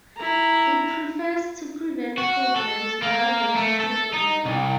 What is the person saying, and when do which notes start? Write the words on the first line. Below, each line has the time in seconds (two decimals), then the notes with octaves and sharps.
It prefers to prevent problems rather than cure them.
0.17 E4 A#5
2.18 F#4
2.56 A4
3.03 A#3
3.56 A3
3.80 A4
4.13 D#4
4.45 C2